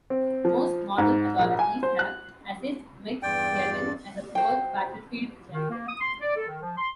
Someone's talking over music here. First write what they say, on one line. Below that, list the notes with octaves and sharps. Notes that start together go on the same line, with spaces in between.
Most modern authorities have assessed McClellan as a poor battlefield general.
C4
F3
G#2
A#1
G#5
C5
F#6
E2 G2 D5 G5
F#4 C5 G5
D#3
A#3
D#6
C6
D5
A4
D#3
F3
C6